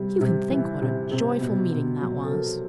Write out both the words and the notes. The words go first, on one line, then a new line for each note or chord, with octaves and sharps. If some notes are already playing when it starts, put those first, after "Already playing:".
You can think what a joyful meeting that was!
Already playing: C3 G3
C3
E3
C3
C3
B2
B2
F#3
A4
F#3 A#4